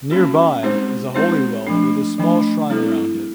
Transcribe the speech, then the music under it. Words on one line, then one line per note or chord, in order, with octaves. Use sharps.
Nearby is a Holy Well with a small shrine around it.
G3 A#3 C#4 F#4
G#3 C4 D#4 G4 C5
G#3 C4 D#4 G4 C5
F3 A3 D4
F3 A3 D4
G3 C4 E4 A4